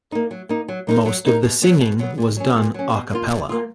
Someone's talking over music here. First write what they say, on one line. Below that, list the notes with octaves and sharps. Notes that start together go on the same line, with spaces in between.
Most of the singing was done a cappella.
A#3 D#4
F#3
A#3 D#4
F#3
A#3 D#4 A#4
F#3
A#3 D#4 A#4
B2
F#3 B3
B2
F#3 B3
A#2
F#3 C#4
A#2
F#3 C#4
B2
A#3 F4
B2
A#3 F4